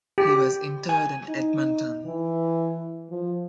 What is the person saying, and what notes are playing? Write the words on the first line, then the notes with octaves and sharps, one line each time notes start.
He was interred in Edmonton.
G4
G#5
D#4
E3
F3